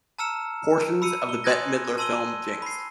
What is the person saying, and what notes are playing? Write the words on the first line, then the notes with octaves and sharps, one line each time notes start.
Portions of the Bette Midler film Jinxed!
A5 A#5 E6 F6 C#7 E7
B5 E6 C#7 D#7
G7
G#5 C6 D#6 F#6 G#6 A#6
A5 C6 E6 D#7 G7
B5 C7